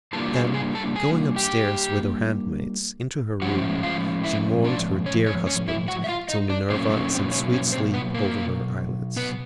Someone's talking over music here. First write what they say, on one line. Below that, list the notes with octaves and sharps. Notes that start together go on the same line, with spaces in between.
Then going upstairs with her handmaids into her room, she mourned her dear husband till Minerva sent sweet sleep over her eyelids.
E3 G3 A#3 D4 F4 A4 A5
G#4 G#5
G#4 G#5
A4 A5
G#4 G#5
G4 G5
A2 F3 G#3 C#4 F#4 F#5
F4 F5
E4 E5
D4 D5
C#4 C#5
C#4 C#5
C#4 C#5
E4 E5
F#4 F#5
E5
F4 F5
D#4 D#5
D4 D5
B2 F#3 A#3 C4 C#4 C5
A3 A4
C4 C5
C#4 C#5
C#4 C#5
C4 C5
B3 B4
A#3 A#4
B3 B4